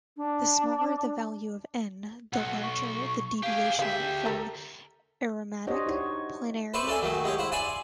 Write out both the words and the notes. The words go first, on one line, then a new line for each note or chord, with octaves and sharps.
The smaller the value of n the larger the deviation from aromatic planarity.
D4
B1 F#5
C#6
G4 G#4 F5
D2 G4 G#4 E5 F5
A4 A#4
D4 F#4 G4 C5 C#5 D#5
D#4 E4 F#4 C#5
B4 C5 D5 E5 B5 C#6
A4 D5 E5 G#5
D#3 F#3 A3
G#3 E4 G4 C#5
E4 C5 F#5
D5 E5 G#5 B5 C6